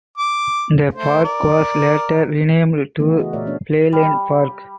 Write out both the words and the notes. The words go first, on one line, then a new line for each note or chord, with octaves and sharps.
The park was later renamed to Playland Park.
D6
A3 C5
A#4 D5
C#3 E3 A3 B3
F#4 G#4 A#4 D#5
A#2 A3 A#4 C#5 D5 E5
A3 B3 C#4 D4 C#5
G3